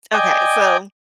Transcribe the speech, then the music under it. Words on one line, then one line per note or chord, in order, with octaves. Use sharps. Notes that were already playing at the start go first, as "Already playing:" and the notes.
Okay, so
D5 D#5 G5 G#5